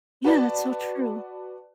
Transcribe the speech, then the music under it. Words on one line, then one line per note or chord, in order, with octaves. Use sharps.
Yeah, that's so true.
F#4 B4 D5 A5